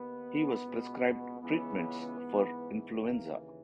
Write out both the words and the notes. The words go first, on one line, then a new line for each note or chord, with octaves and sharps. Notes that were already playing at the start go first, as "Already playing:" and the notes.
He was prescribed treatments for influenza.
Already playing: D#2 D#3 B3
C#2 B2
C#2 C#3 E3 B3
G#2 E3
D#2 C#3 E3 A#3